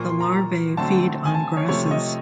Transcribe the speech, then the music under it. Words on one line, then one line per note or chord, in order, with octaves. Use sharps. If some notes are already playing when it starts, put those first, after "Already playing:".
The larvae feed on grasses.
Already playing: A#2 F3 A#3 C#6
C6
A#5
A#5
D3 F#3 A3 C4 A5
G#5
A5
C#5
C3 F3 A3 C#5
D#5